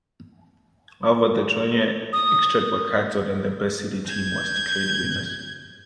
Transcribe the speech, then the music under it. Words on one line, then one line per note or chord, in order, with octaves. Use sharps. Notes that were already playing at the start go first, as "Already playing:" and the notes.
However the Torneio Extra was cancelled and the best seeded team was declared winners.
D#6
G6 G#6